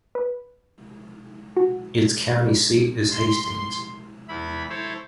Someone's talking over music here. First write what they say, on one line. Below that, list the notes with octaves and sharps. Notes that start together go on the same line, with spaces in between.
Its county seat is Hastings.
B4
F#4
C6
E2 E4 B5
E4 A4 C5 C#5